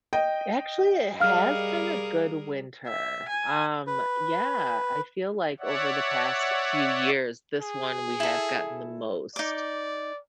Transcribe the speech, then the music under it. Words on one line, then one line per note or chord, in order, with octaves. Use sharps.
Actually it has been a good winter, um, yeah, I feel like over the past few years this one we have gotten the most
D#5 G5
G3 G#4 A#4 F5 F6
E5
G#5
B4
C#5 D5 E5 F#5
G#4
E4 A4
D#4 D5 D6